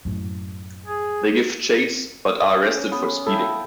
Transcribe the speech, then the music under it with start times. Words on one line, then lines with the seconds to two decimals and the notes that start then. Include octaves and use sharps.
They give chase but are arrested for speeding.
0.05 F#2 A2
0.85 G#4
2.53 C#4
2.92 B3
3.26 E4 A4 F5 G5